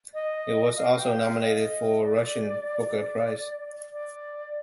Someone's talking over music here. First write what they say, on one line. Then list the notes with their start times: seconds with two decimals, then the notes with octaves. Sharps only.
It was also nominated for the Russian "Booker" prize.
0.14 D#5
0.77 F5
0.99 G5
1.19 F5
1.40 D#5
2.04 D5
3.93 D5